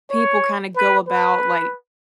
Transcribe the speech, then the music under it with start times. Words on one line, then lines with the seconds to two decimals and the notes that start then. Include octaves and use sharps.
people kinda go about, like,
0.10 C#5
0.76 B4
1.07 B4